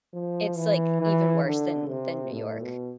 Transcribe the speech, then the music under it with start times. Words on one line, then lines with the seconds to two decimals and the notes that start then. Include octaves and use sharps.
It's, like, even worse than than New York.
0.13 F3
0.57 E3
1.01 E3
1.45 D3
1.88 C3
2.32 A2
2.61 B2